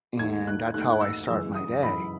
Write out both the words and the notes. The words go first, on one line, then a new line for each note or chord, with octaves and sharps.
and that's how I start my day.
D#2 D#3 A3 G#6
F#6
D#2 D#3 A3 F#6
F#6
E6
F#2 C#3 E3 G#3 E6
D#6
F#2 C#3 E3 G#3 B5